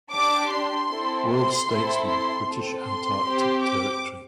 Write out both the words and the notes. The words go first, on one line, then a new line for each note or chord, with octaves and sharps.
World Statesmen: British Antarctic Territory.
D4 G4 D6
C6
C4 E4 A4
C6
C4 E4 A4
C6
C4 A4
C6
C4 G4
D6